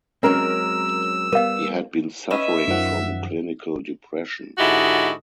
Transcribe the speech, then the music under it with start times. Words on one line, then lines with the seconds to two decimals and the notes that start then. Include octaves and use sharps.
He had been suffering from clinical depression.
0.23 F#3 G#3 C4 C#4 A#4 E6
1.32 G3 B3 A#4 F5
2.30 C#4 B4 D#5 E5 E6
2.68 F#2 D#3 F3 F#5
4.58 G#2 D3 E4 F#4 G4 D#5